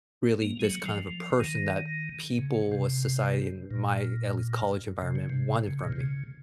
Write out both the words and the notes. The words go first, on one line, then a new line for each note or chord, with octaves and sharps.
really this kind of a person that people of society in my at least college environment wanted from me.
A#3
G#3
F#3
F3
F3
D#3
C#3
C3
A#2
C3
C#3
C3
C#3
A#2
C3
C#3